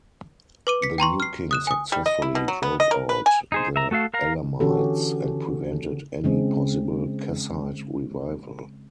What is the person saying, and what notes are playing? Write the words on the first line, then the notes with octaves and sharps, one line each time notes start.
The new king successfully drove out the Elamites and prevented any possible Kassite revival.
B4 D6 D#7
B6 C#7
G5 A#5 C6 C#6
F6 C7
D#6 F#6 E7
G#5 D#6
G3
D#5
E4
B2
F#3
B3
D#5
A#4
B4
G#5
D#4 G#4 C5
E5 A#5
A3 F#4 A4 F5
A#4 F5 A#5
D3 E3 C#4 F#4 G4 A4
C#3 G#3 C4